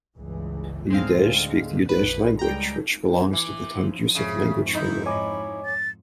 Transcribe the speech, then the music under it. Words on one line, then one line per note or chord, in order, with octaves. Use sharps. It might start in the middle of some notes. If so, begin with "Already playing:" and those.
The Udege speak the Udege language, which belongs to the Tungusic language family.
G1 C#2 E3
D2 A2 D3 G#3 C4 F5
A#1 F2 B4
C#2 G3 G#3 G5 A#5
E3 D6
F3
F2 G#2 C#3 E5
D#4 E4 G6
C#5 G#5 B5 D6
A6